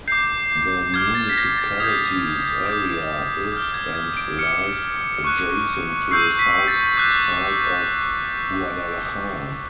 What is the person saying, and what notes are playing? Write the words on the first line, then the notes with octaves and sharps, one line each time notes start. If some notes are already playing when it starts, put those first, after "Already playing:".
The municipality's area is and lies adjacent to the south side of Guadalajara.
D6 G6 C7
D6 F6 G#6
A6
B6
A#6
A6
D#6 G6 G#6
D6 G6
D6 F6 G6
G#6
G#6
D7
D6 F6 C#7
C#6 F#6
C#6 E6 G6 C7
B6
A6
D6 F#6 G6